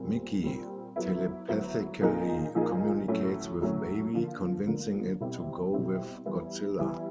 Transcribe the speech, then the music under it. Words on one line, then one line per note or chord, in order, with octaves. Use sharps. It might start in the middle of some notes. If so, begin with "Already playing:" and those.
Miki telepathically communicates with Baby, convincing it to go with Godzilla.
Already playing: A#2 G3 C4
A#2 G3 C4
F#3 B3 E4
F#3 B3 E4
A#2 F3 A#3 D#4 G#4
A#2 F3 A#3 D#4 G#4
A2 F#3 A3 C#4
A2 F#3 A3 C#4
D3 F3 A#3
D3 F3 A#3
B2 G3 C4 E4 G4
B2 G3 C4 E4 G4
E3 G3 B3 E4
E3 G3 B3 E4